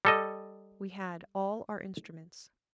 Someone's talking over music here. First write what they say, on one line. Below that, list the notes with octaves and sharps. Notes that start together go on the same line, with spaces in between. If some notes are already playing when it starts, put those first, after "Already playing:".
We had all our instruments.
G3 A4 D#5